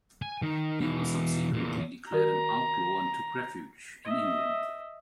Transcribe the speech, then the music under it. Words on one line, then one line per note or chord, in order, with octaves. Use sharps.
He was subsequently declared an outlaw and took refuge in England.
G#5
D#3
B2 E3
E2 A#2
D#3 F#4 A#4 A#5
D#5 E5